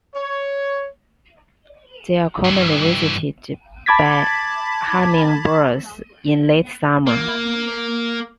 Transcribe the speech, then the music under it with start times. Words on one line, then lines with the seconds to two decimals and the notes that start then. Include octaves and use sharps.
They are commonly visited by hummingbirds in late summer.
0.15 C#5
2.45 G2 E3
3.86 A5 B5 D6 G#6 A6 B6
7.07 A#3